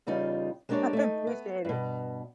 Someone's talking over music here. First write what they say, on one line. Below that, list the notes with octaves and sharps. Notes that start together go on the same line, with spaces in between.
I appreciate it.
E2 C#3 G3 D#4 F4
G#3 A#3 C4 D4 G4 C#5
A3 D#4
B3
G2 B2